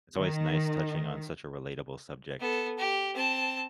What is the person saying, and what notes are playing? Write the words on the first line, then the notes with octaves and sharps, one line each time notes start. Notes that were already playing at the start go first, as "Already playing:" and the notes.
It's always nice touching on such a relatable subject.
D#3
B3 A4
G4
C4 A5